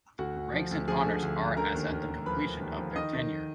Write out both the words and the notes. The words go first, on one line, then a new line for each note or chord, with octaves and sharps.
Ranks and honours are as at the completion of their tenure.
D2 F#4 F#5
D2
F3
D2
F3 G#4 G#5
D3
D2
D2
D3 A#4 A#5
D#2
D#2
D#2
F3 B4 B5
F3
D#2
F3
D#3 D#5 D#6
D#3